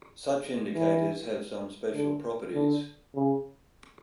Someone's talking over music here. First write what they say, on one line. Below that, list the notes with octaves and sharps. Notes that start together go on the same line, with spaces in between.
Such indicators have some special properties.
E3
D3
D3
C#3